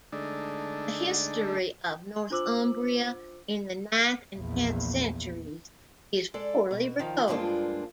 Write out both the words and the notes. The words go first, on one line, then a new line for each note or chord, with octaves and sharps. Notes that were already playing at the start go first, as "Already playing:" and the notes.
The history of Northumbria in the ninth and tenth centuries is poorly recorded.
D3 G#3 A3 D4 D#4
D4 F4 C5 D6 E6 F#7
A#1 E2
G#3 A4 D5
B2
D#3 F3 F4
G2 F3 G#3 A#3 D4 F4